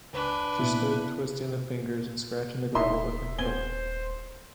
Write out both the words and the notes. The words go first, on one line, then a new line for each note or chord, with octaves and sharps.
She stood twisting the fingers and scratching the gravel with her foot.
C#2 D4 B4 G#5
A#2 B3 E4
D#1 D#4 E4 D#5 E5 C6
B3 C4 C5 G#5 G7